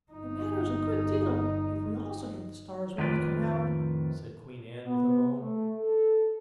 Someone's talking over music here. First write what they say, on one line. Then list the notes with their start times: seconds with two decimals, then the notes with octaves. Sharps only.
"It matters a good deal, if we also hit the stars when we come out," said Queen Ann, with a moan.
0.11 G1 D#4
2.98 F2 A2 D#3 F4 B4 D5
4.84 B3
5.39 A3
5.77 A4